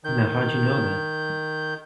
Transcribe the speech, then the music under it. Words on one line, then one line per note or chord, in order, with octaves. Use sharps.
Now how'd you know that?
D#3 G6